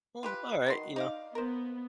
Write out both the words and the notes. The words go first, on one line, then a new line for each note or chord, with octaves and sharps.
Well, alright. You know?
F4 G4 B4
B2 D#3 C6
D#4 D5 F5
B3 A#4 C5